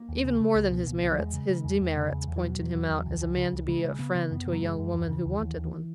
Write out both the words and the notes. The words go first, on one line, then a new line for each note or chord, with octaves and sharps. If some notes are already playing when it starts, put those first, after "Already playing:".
Even more than his merits, his demerits pointed him out as a man to be a friend to a young woman who wanted one.
Already playing: A#3
D#2
C#3
C#3
C#2
B2
C#2
C#2
F#3
E2 G#3
C#3
C#3
E2
E2
C#3
E2
E2
E3
B2 F#3
E2
E2
E2
C#2
C#2
C#3
C#2
C#3 G#3
C#3
C#3 B3
C#3
F#2 B3
C#3
F#3
F#2 G#3
F#2
D#2 E3
C#3
D#2
D#2
D#2